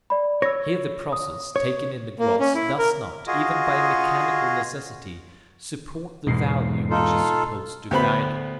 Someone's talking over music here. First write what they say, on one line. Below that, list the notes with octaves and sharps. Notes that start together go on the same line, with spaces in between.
Here the process, taken in the gross, does not, even by mechanical necessity, support the value which is supposed to guide it.
D5 B5
C#5 E6 A#6
D#6
C#5
A#3
C#4
E4
A#4
F4 F#4 G#4 D#5
E2 G#2 B2 C7
D#4 F4 A4
D2 B3 C5 B5